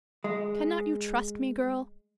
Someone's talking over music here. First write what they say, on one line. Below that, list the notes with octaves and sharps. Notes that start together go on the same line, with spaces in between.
Cannot you trust me, girl?
G#3